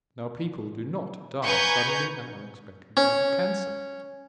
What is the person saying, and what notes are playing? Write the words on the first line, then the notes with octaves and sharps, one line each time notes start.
Now people do not die suddenly and unexpectedly of cancer.
B4 G#5 A#5 C#6 G6
C#4